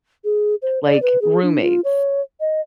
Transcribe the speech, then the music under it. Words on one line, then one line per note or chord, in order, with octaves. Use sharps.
like roommates.
G#4
C5
D5
B4
G#4
D4
F4
C#5
D#5